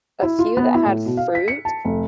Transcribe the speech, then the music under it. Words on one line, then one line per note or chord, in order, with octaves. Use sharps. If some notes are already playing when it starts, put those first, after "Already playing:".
a few that had fruit
E4
F4
B3
E4
A2
B2
F5
B6
C#7
A5
F1